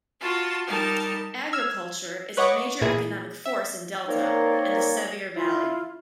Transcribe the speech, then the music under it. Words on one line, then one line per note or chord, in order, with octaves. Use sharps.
Agriculture is a major economic force in Delta and the Sevier valley.
F4 F#4 A5
G3 D#4 A#4 A5
E6 F6 G#6
B4 C#5 D#5 F#5 C#6 D6
A#2 E3 E4 G#4
E5
A#3 C4 D#4 A#4 C#5 D5
E4 F4